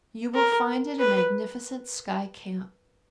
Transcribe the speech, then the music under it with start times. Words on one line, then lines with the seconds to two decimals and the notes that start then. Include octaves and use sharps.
You will find it a magnificent sky camp.
0.34 A#4
0.99 B4